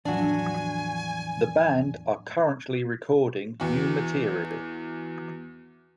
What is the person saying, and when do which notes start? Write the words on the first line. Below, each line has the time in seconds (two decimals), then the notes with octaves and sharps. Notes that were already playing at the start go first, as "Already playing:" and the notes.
The band are currently recording new material.
0.05 E2 A2 F3 F#3 D4 F#4 G#5
3.60 E2 F#4